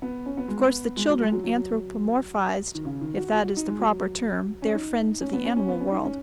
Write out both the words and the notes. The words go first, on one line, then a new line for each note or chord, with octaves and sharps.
Of course the children anthropomorphized--if that is the proper term--their friends of the animal world.
B3
C#4
B3
G#3
B3
G#3
F#3
G#3
F#3
F#3
D#3
C#3
D#3
F#4
F#4
F#4
D#4
G#3
F#3
C#4
D#4
C#4
B3
C#4
C#4
B3
C#4
D#4
C#4